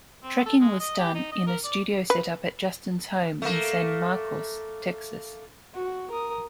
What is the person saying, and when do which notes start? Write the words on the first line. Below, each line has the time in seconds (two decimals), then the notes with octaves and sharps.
Tracking was done in a studio setup at Justin's home in San Marcos, Texas.
0.24 C4
0.46 A4
0.61 G#3
0.79 D#5
0.99 G4
1.15 D#4
1.32 D#5
1.47 A#4
1.64 D5
2.10 B4
3.42 A3 A#3
5.75 F#4
6.11 A#4 D#6